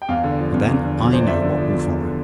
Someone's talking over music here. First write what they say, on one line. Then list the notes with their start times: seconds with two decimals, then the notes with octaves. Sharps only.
And then I know what will follow.
0.02 G5
0.09 E2 F5
0.24 D3
0.39 F3
0.54 E2
0.69 E2
0.83 D3
0.98 F3
1.13 E2 C5
1.20 D5
1.27 E2 E5
1.42 D3
1.58 F3
1.73 E2
1.87 E2
2.02 D3